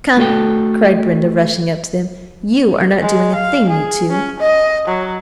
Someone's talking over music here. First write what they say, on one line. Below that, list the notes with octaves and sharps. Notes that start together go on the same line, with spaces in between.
"Come," cried Brenda, rushing up to them, "you are not doing a thing, you two."
A3 F#4 A4 G5
G#3
F5
G#4
C#4
D#5
F#3